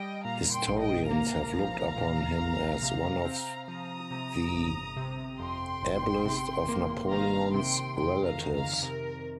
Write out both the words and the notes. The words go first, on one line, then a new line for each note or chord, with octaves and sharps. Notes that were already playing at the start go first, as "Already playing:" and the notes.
Historians have looked upon him as one of the ablest of Napoleon's relatives.
Already playing: G3 D#5 G5
A#2 F5 A#5
G5 C6
A#1
D#5 G5
A#3 F5 A#5
F3
A#2
A#1
C3
C4
F3 A#5 D#6
C3
G1
C3
F2 G5 C6
G1
C3
A#3
D#3 F5 A#5
C3 G5 C6
F2 G5 C6
F5 A#5
D#3
F5 A#5
C3 A#4